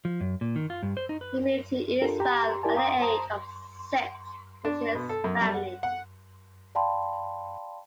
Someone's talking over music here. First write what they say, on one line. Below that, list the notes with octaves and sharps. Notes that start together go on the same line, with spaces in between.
He moved to Israel at the age of six with his family.
F3
F#2
A#2
D#3
F4
G2
C5
D#4
B4
D4 F4 G4 A4 A#4
G4 A#5
E4 G4 A#4 D5 G#5 A5
F5 G5 A#5 D6 D#6
C5 A5 A#5 D#6
D4
B2
A4
F#2
G3
F#5
F#5
D5 F5 G5 A5 B5 C6